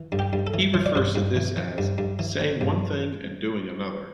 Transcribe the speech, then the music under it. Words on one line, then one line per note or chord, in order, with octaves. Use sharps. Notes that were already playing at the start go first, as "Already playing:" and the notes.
He refers to this as "saying one thing and doing another".
Already playing: E3
G2
G4
G2
A4
E3
E3 C5
D5
G2 C5
G2
E3
E3
G2
G2
E3
D3
G2